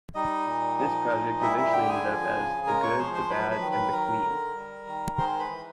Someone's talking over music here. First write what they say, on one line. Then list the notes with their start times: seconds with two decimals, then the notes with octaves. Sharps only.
This project eventually ended up as The Good, the Bad and the Queen.
0.15 G3 D#4 D#5
0.47 A#2
0.79 F3
1.09 A#2
1.41 G3 E4 E5
1.57 E4 E5
1.72 D3 G4 G5
1.88 G#4 G#5
2.04 F3
2.36 C#3
2.67 G#3 A#4 A#5
2.83 C#5 C#6
2.98 F3 C5 C6
3.14 C5 C6
3.30 F#3 B4 B5
3.51 B4 B5
3.61 D#3
3.72 B4 B5
3.92 F#3 A#4 A#5
4.24 D3
4.55 G3
4.87 D#3
5.18 G#3 C5 C6
5.39 B4 B5
5.50 E3